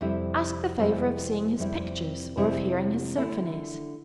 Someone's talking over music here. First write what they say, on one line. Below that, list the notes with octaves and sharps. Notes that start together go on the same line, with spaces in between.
Ask the favor of seeing his pictures, or of hearing his symphonies.
F2 C3 G3 C4 E4
F2 C3 G3 C4 E4
F2 C3 G3 C4 E4
F2 C3 G3 C4 E4
D3 A3 E4